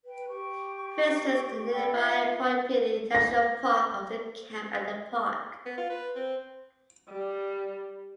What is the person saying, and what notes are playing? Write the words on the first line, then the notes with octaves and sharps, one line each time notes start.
Visitors to nearby Point Pelee National Park often camp at the park.
B4 G5
G4 C#6
D5 G5 B5 E6
D#4 F4 E5 F5
A#6
B3
F4
B4
C4
G3